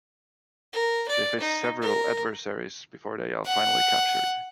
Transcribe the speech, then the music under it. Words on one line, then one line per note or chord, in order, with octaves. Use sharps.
They face several adversaries before they are finally captured.
A#4
D5
D#4
A#4
F#5